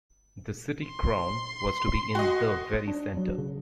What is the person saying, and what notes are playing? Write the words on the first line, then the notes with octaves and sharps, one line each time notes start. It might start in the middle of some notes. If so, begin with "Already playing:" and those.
The "City Crown" was to be in the very center.
C6
F#4 D#5
D4
F#3
C#3